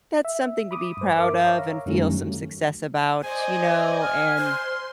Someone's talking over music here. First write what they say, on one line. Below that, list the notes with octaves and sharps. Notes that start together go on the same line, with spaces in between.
that's something to be proud of and feel some success about, you know, and
E5
B5 D6 D#6
G2 C5
A#4 E5 D6
C#5 E5 F5 A#5
F#2 D#3 F#3 G3 A3 C#4
C5 D5 D#5 G#5
F6
C5 C6